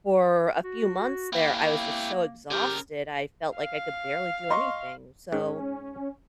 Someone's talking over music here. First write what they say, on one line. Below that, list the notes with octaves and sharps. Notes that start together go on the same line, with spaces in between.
for a few months there, I was just so exhausted, I felt like I could barely do anything, so,
F#4
A#3 E4 G4
C#3 G4 A#4
F5
D#5 C6 C#6
G#2 C#4